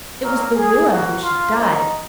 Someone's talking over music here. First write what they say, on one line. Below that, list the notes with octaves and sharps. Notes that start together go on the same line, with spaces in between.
It was the wooer who should die.
B1 A#2 F#3 A#3 A#4
G#4
D#2 C#3 F3 A#3 F#4
F4
F#2 F3 A#3 D#4